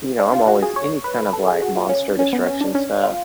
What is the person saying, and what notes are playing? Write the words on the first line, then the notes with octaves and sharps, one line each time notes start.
you know, I'm always any kind of, like, monster destruction stuff.
D4
F4
F#4
G#4
C#5
B4
B4
A4
G#4
F#4
F4
C#4
C#4
B3
C#4
D4
C#4
F4